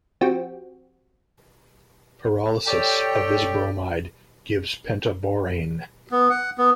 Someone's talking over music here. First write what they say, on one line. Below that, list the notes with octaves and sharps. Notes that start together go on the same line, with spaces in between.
Pyrolysis of this bromide gives pentaborane.
F3 C4 F#4 G4
G4 A4 C#5 D5 G5
B3
F#5
B3